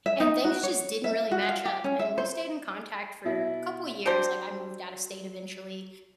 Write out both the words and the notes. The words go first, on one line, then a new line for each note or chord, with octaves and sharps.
and things just didn't really match up, and we stayed in contact for couple years, like I moved out of state eventually,
E5
D#4
F#4
C#5
E5
F#4
F5
G4
C#4
E5
C5
B2 E4
F#3 C4 D4 C5